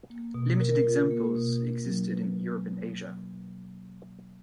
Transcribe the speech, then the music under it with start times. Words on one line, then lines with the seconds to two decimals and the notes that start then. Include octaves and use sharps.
Limited examples existed in Europe and Asia.
0.10 A#3
0.34 B2
0.60 A#4
0.84 F4
1.11 A#3
1.36 B2
1.61 D4
1.85 F#3
2.11 B4